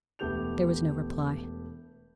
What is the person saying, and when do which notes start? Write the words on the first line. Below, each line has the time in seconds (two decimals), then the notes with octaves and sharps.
There was no reply.
0.19 E1 A3 B3 G4 G6 F7